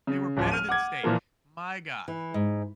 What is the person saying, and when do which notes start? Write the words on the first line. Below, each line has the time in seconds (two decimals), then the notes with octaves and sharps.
they were better than steak, my god.
0.07 C#3
0.37 D1 A1 F3
0.51 F6 D#7
0.69 F#5 D6 G#6
1.04 A#2 E3 F3 A#3
2.08 E3
2.34 G#2